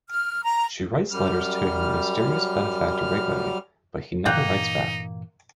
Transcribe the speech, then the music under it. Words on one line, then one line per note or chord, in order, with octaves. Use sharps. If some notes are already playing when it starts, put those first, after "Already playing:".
She writes letters to her mysterious benefactor regularly, but he never writes back.
F6
A#5
F#2 G3 F6
G2 A#2 E3 A#3 D#4 F#5 G5